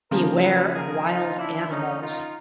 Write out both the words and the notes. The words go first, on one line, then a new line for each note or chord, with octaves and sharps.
Beware of wild animals.
C#3 F3 A#3 G#4 A#4
A4 B4
G#4 A#4
D#4 F4
D4 E4
C#4 D#4
D#4 F4